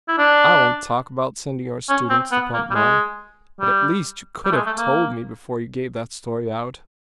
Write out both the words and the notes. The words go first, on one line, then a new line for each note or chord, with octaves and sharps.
"I won't talk about sending your students to pump mine, but at least you could have told me before you gave that story out."
E4
D4
C#4
C4
B3
A#3
G3
G#3
G3
G3
A3
G#3
A3
A#3